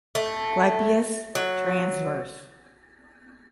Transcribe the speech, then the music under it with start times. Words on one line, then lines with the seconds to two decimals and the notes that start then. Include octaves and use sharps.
Clypeus transverse.
0.15 A3
1.35 F#3